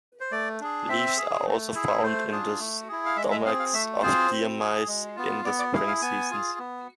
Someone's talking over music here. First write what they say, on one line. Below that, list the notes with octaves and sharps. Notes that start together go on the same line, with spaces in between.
Leaves are also found in the stomachs of deer mice in the spring seasons.
C5
A3 D5
D4 G#4
C4 E5
G#4
A3
E4 G#4
A3 C5
D4 F4 G#4
A3
E4 G#4
F5
G#3 E5
E5
C4 G#4 F5
F5
A3 E5
C4 F4 G#4 C5
C4
G#4
G#3
B3 F4
B3 D5
D5
E4 G#4 F5
F5
B3 G#5
F4 G#4
B3